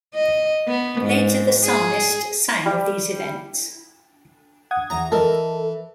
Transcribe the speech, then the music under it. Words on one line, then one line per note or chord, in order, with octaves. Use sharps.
Later, the psalmist sang of these events.
D#5
B3
G#2
G#4
G3
F#5 D#6 G#6
E2 E3 A#5
E3 A4 A#4 D#5